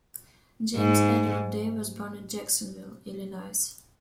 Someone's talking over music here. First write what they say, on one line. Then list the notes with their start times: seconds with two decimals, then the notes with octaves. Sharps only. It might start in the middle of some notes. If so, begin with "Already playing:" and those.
James Edward Day was born in Jacksonville, Illinois.
0.76 G#2